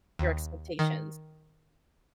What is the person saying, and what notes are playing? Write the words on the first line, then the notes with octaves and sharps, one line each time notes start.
your expectations.
D#2
D#3